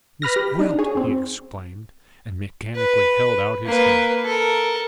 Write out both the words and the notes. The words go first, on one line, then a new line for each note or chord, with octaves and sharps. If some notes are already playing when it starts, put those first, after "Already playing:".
"Miss Gwilt!" he exclaimed, and mechanically held out his hand.
B4 B5 F6 A#6
G4
D4 D#4
G#4 C#5
F#2 C4
B4
A#3 B4
A4 A#4